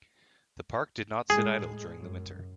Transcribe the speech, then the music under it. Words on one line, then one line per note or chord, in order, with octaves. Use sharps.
The park did not sit idle during the winter.
A2 G#3 G#4
F#2